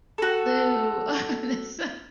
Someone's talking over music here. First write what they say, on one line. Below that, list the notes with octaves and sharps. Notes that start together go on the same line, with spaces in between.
Lou. Oh, that's so
F#4 A4